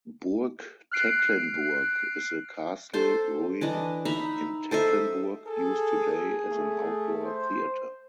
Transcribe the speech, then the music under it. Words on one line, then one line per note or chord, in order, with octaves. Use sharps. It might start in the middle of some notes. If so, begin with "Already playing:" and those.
Burg Tecklenburg is a castle ruin in Tecklenburg, used today as an outdoor theatre.
F6 F#6 C7 D7
A4 C5 C6
E3 D4 D#5
D#4 E5 A#5 B5
A4 C5 D#5 E5
G#4 A4
A3
C5